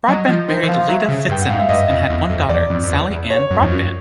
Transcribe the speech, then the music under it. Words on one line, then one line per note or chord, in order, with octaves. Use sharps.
Broadbent married Leda Fitzimmons and had one daughter, Sally Ann Broadbent.
F#3 D#5
F3
D#3 C5
E3
F3 F5
F#3 E5
C#3
G2 G5
F#5
G#2 F5
E5
G2 D#5
F2
E2
F2
E2 D5
F2
F2
E2
E2
C#5
F#2
F2
F#2